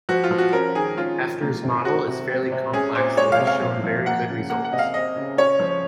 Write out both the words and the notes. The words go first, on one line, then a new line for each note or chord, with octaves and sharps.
Hefner's model is fairly complex that has shown very good results.
F3 F#4
F4
F3
F#4
C#4 A#4
D#3 G#4
C#4 F4
D#3
A#3
C3
C4 F#4
C3
C4
C3
C#4 G#4
A#2 C5
G#3 C#5
F5
C3
F5
F3
F3
A#3 F#5
C#3
A#3 F#5
F#5
C3 D#5
F5
C4 D#5
C#3
C#4 C#5
F3